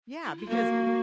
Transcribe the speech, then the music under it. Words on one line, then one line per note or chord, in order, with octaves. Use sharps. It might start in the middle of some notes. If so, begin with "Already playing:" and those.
yeah, because
E4
F4
A#3 F#4